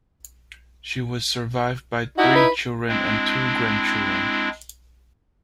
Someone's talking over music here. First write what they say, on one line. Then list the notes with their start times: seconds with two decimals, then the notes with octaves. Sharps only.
She was survived by three children and two grandchildren.
2.18 D#4 E4 F#4
2.35 B4
2.89 G#3 C4 D4 E4